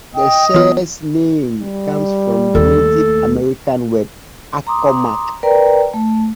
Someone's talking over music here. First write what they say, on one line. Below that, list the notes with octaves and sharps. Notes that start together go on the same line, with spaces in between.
The shire's name comes from the Native American word Accawmack.
D#5 G5
E3 B3 F4
G3
D#2 A3 A4
A#5 C6 D6 D#6
A#4 B4 D5 G5 A#5
A3